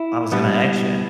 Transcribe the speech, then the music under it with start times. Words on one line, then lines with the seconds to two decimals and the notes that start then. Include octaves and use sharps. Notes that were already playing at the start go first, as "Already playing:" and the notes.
I was gonna ask ya.
Already playing: E4
0.32 B2 G3 B3 D4